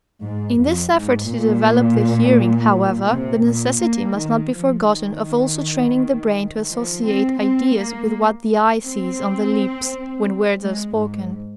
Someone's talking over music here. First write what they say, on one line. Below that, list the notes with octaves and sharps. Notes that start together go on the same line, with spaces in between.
In this effort to develop the hearing, however, the necessity must not be forgotten of also training the brain to associate ideas with what the eye sees on the lips when words are spoken.
G#2
F2
G#2
A#2
C3
A#2
A#3
D#3
F3
D#3
F3
C4
C4
A#3
C4
G#3
G#2